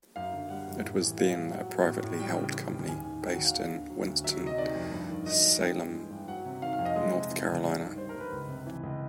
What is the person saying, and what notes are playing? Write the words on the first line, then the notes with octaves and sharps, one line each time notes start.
It was then a privately held company based in Winston-Salem, North Carolina.
F#2 F5
D3
G3 F#5
F#2
A2
E3
G3 F5
A2
F#3 F#5
F#3
A2
A2
G3 G5
C#3
E3
D#2
D#2 G#5
D#3
F#3 G5
F#5
D#2
F5
D2
D3
F#3
D2
F#3 E5
C3 D#5
D#3 D5
F2
G2
D#3
F#3 D#5
G2
G2 G5
E3
G#3
G2
F#3 F#5
C3
D#3 F5
F5
F2
D#5
G#3 D#5
C3
E3
C#2
G2 D5
D#3
G3 C5
A#4
G2
B4
C#2
C3
E3
C#2